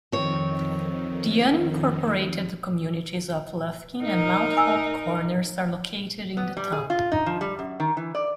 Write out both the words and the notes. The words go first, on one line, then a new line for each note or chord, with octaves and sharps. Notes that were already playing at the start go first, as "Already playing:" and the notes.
The unincorporated communities of Lufkin and Mount Hope Corners are located in the town.
F2 D#3 C4 C#5
D#4 A#4
G#5 E6
B3
G3
G#4
F4
D#4
F3
G3
F#2
D#3
E3
D5